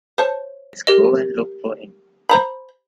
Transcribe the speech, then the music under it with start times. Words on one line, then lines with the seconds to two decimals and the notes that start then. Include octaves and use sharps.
Let's go and look for him!
0.18 C5 C#5 A5
0.87 G4 A#4 D#5
2.29 C5 A#5 B5